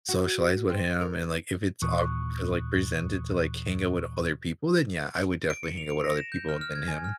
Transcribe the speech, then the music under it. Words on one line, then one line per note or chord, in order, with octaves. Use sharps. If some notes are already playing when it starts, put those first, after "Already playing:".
socialize with him. And, like, if it's off if it's, like, presented to, like, hang out with other people, then, yeah, I would definitely hang out with other people than him.
F#4
C4
A#4
D#2 A#2 E3 C#6 D#6 F#6
D7
C#7
F7
D7
A#6
E7
G6
F6
F6
G#6
G#5
F6